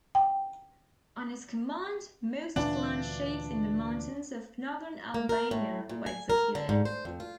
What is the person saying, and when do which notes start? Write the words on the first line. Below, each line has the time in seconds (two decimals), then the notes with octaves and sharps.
On his command most clan chiefs in the mountains of northern Albania were executed.
0.15 G5
2.56 D2 A#2 E3 D4
5.14 A#3
5.29 A#4
5.51 A2
5.89 A#2
6.06 G#5
6.30 A#4
6.55 D3
6.69 G#2
6.85 C5
7.05 F2
7.20 F4